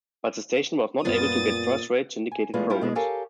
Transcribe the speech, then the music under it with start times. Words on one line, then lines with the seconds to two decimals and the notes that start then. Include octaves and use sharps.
But the station was not able to get first-rate syndicated programs.
1.05 F#2 A#2 G3 B3 C4 F4 D#6 A6
2.32 G#5
2.54 E2 G#3 A3 F4 B4
2.70 G3 E4 F4 G4
2.81 B2 G#3 B3
2.95 G4 A4 A#4 C#5 F5 G#5